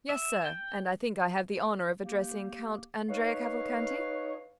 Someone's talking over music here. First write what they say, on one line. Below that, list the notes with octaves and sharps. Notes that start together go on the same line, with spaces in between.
"Yes, sir, and I think I have the honor of addressing Count Andrea Cavalcanti?"
E5
G5
A#3 G4
D#4 B4 C#5 F5